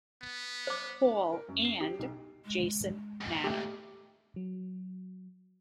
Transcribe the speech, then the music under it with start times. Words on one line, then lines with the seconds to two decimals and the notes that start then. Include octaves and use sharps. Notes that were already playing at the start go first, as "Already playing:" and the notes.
Hall" and "Jason Manor.
0.22 B3
0.67 C5 D6
1.32 A#4
1.48 F#2
1.65 C7
1.81 G4
1.99 B1
2.45 G#3
3.21 D#2 G#2
3.44 A3 G4
4.36 F#3